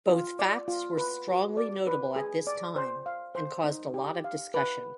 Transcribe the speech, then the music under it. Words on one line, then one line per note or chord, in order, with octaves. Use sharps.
Both facts were strongly notable at this time and caused a lot of discussion.
F4
D5
F4
B4
F#4
D5
B4
G#4
D5
C5
F5
C5
D#4
G4
F5
B4